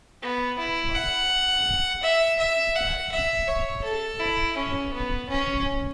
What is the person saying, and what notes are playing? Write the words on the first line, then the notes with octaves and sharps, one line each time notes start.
His father was keen to see that they were independent.
B3
E4
F#5
E5
E5
F#5
E5
C#5
A4
E4
C#4
B3
C#4